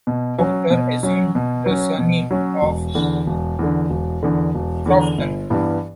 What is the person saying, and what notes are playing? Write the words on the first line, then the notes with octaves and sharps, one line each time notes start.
Lowther assumed the surname of Crofton.
B2
F#3 C#4
B2
F#3 C#4
B2
F#3 C#4
B2
F#3 C#4
E1
E2 D3
E1
E2 D3
E1
E2 D3
E1
E2 D3
G1
G2 E3 G3 B3